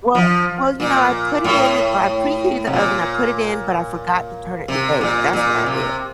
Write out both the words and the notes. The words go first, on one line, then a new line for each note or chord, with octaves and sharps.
Well well, you know, I put it in, and I preheated the oven I put it in, but I forgot to turn it to bake, that's what I did.
F3
A#2
A2
C3
A#2
C3
A#2
A#2
C3